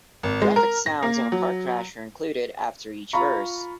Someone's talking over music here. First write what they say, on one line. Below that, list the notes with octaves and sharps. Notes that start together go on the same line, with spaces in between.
Graphic sounds of a car crash are included after each verse.
G#1
G#3
A#4
A#6
A#3
F#3
F4 A#5 B5 C#6